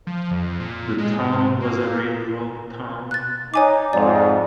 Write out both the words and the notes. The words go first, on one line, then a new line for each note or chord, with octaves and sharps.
The town was a Railroad town.
F3
F2
A#2
G#3
G#2
A#3
F#6 A6
D#4 C#5 G#5 D6
F2 G#2 D5